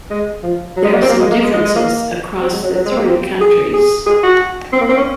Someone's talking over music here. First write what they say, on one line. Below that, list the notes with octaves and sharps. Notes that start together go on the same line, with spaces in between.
There are some differences across the three countries.
G#3
F3
F#3
G#3
A#3
C4
A#3
G#3
A#3
G#3
G#3
G#3
A#3
C4
G#3
F#3
F#3
G#3
C4
A#3
C4
G#4
G#4
G#4
F#4
C4
A#3
C4
C#4